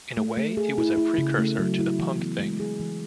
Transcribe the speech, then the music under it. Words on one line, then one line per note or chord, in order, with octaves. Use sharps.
In a way it was a precursor to the punk thing.
A3
A3
G#4
E4
E4
C#3
A3
F#3
E4
E3
B3
G#3
G#4
E3